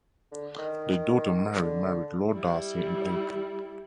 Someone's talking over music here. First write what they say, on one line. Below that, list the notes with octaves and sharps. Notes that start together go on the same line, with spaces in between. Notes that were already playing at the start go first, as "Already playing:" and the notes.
Their daughter Mary married Lord Darcy in April.
D3
D#3
D3
G3 E4